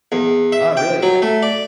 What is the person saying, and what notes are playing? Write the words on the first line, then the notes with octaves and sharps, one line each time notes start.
Oh, really e
E2
E5
G5
F#3
A3
D5